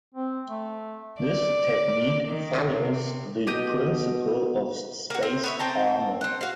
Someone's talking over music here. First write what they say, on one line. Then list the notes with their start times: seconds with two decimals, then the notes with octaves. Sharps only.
This technique follows the principle of spaced armor.
0.15 C4
0.48 A3
1.21 D5
2.28 D#3
2.73 C3
3.47 B2 G4 D#5 G6
5.10 A#3 F#4
5.23 C4
5.44 B3 C#5 E5
5.59 C4 G5 A5 A#5
6.21 C4 F#5
6.41 F#4 F5